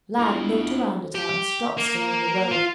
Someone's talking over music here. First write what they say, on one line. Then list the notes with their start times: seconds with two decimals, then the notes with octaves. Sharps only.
Lad looked around at her and stopped still in the road.
0.19 B3 D4 E4 F4 D#5
1.15 G4
1.78 A#3
2.51 F4